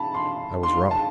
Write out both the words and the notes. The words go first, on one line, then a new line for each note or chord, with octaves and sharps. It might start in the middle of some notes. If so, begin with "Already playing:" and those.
I was wrong.
Already playing: A5 B5
C6
C6
A5